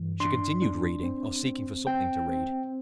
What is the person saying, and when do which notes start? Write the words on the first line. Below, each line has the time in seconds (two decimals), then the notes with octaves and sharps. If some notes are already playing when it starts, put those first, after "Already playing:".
She continued reading, or seeking for something to read.
Already playing: G2 E3
0.20 D4 C6
0.62 D4
1.03 C4
1.45 C4
1.87 C4 G5
2.29 C4